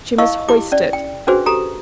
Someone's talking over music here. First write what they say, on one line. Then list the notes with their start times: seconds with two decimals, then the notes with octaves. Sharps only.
She must hoist it.
0.18 E4 D#5 F5 C#6 E6
0.48 E4 G4 D6
0.72 C#4 D5
0.93 G5
1.27 C#4 D4 F#4 G#4 B4 C5
1.46 G4 A4 A#5